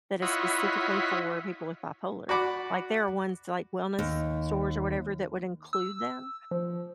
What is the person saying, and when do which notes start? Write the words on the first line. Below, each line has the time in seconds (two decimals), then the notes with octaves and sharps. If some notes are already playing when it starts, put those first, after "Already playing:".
that is specifically for people with bipolar, like, there are ones, like, wellness stores or whatever that would include them,
0.22 E4 F4 C#5 D#5 F#5 B5
2.29 F#4 D5 F#5 B5 D6
3.99 D#2
5.73 E6
6.51 F3